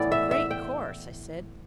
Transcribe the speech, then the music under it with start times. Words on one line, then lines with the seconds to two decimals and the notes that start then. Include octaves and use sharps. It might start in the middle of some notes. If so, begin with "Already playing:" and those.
"It's a great course," I said.
Already playing: A2 E3 B3 E4 D5
0.12 E5
0.31 E5
0.51 G5